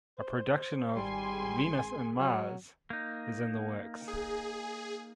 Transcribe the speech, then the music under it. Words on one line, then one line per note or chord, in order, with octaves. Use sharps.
A production of "Venus in Mars" is in the works.
C5
G#1 G3 D5 G#5 C6
G#4
F#3
A#3 D#4
G#4